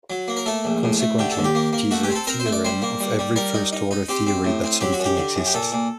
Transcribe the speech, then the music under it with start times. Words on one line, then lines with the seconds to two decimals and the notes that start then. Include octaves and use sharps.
Consequently, it is a theorem of every first-order theory that something exists.
0.10 F#3
0.28 A#3
0.37 A#4
0.46 A3 A4
0.65 A#1
0.83 A2
1.00 A3
1.19 D3 G4
1.31 A4
1.37 D#2
1.44 G4
1.55 A#3
1.73 A#3
1.91 A3 F#4
2.03 G4
2.10 C4
2.15 A4
2.27 C4 A#4
2.40 C5
2.46 A3
2.52 D5
2.65 G3 C5
2.82 A#3
3.00 G3
3.19 G3
3.36 G3 A#4
3.54 D#4
3.73 D#4
3.91 D#4
4.09 C4 G4
4.27 C4
4.45 A2
4.64 C4
4.81 F#3 G4
4.93 F#4
5.00 F#2 G4
5.17 D3
5.36 F#2
5.46 G4
5.54 A#2 A4
5.72 A#2